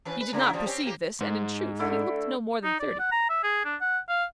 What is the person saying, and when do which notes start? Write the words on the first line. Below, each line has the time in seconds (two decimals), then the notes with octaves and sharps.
He did not perceive this, and in truth he looked no more than thirty.
0.05 E3 C#4 B4
0.21 B4
0.33 C#3 A#3 E4
0.53 F#2 F3 G3
0.66 C4 C#4 G4
0.83 A#3 G4
1.21 G#2
1.79 D3 A3 E4
2.64 D#4
2.79 D5
2.99 F#5
3.12 A#5
3.29 E5
3.43 G#4
3.65 D4
3.81 F#5
4.09 F5